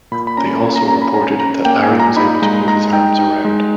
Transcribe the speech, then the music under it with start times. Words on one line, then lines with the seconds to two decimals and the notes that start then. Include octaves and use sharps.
They also reported that Larry was able to move his arms around.
0.12 A#2 B5
0.27 B5
0.37 C#4 A#5
0.63 A#2 G#5
0.76 A#5
0.88 C#4 A#5
1.02 B5
1.14 C#4 A#5
1.40 C#4 A#5
1.65 A#3 G5
1.82 G#5
1.91 A#2
2.00 A#5
2.17 D#4 B5
2.42 G#3 A#5
2.68 G#3 A#5
2.93 D#4 G5
3.19 D#4
3.45 G#3